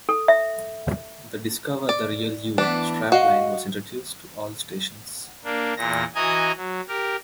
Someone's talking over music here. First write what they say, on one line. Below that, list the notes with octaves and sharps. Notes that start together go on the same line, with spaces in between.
The "Discover the Real You" strapline was introduced to all stations.
A4
E5
D5
E3 B3 D4
F#4 D#5 F5
A#3 D4
E2 A#2 A#6
E3 F#4 D#5 G#5 A#5 D#6
F#3
G4 A#4